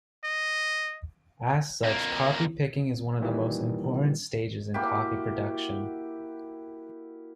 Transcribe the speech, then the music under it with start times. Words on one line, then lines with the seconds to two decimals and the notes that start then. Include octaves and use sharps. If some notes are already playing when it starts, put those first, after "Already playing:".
As such, coffee picking is one of the most important stages in coffee production.
0.24 D#5
1.83 F2 A#3
3.20 A#2 D#3 E3 G3
4.74 A#3 E4 F#4 G4